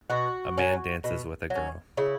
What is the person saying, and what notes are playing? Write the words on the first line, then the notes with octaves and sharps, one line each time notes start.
A man dances with a girl.
B2 F#4
F#3 C#4
B2
F#3
C#4
C#3 E4